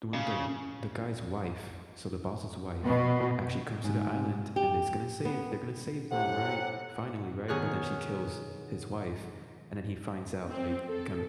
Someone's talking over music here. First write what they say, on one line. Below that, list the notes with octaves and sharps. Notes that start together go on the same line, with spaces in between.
the one of tho the guy's wife- so the boss's wife- actually comes to the island, and is gonna save they're gonna save them, right? Finally, right? But then she kills his wife, and then he finds out so they become
C#3
B2
G#2
G4
B3
A2 C3 F#5
B2 D#3 G#4 C#5 F6 F#6
C4
A4